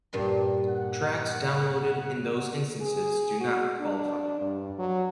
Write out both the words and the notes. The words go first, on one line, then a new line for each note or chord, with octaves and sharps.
Tracks downloaded in those instances do not qualify.
G2 A#2 C6
F#5
G#4
F#4
D4
G2
F#3